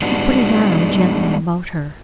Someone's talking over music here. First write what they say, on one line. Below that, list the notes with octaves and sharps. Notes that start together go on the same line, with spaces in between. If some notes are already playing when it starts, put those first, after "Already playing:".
He put his arm gently about her.
G3 G#3 B3 D4 D#4 F#4